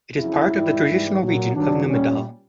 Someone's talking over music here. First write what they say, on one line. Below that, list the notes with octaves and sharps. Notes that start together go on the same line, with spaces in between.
It is part of the traditional region of Numedal.
F2 C#3 F#3 E4
G#2 D#3 G3
G#2 E3 G3
A#2 F#3
G2 D#3 F#3 D4
A#2 G3 C#4